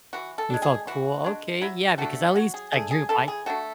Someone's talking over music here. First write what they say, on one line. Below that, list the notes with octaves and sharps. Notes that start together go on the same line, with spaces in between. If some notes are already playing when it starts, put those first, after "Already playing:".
You felt cool? Okay, yeah, because at least I dreamed, I
E3 F#4
A4
G#3 D4
G#4
E3 F#4
G#3 D4
F#3 E4
A3 D4 F#4
F#3 F#4
G#4
A3 D4 G#4
G#4
E3 A4
G#4
A3 D4 F#4